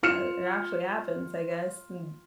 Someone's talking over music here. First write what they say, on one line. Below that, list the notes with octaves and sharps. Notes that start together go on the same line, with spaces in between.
But it actually happens, I guess, n
F4 F6 C#7 E7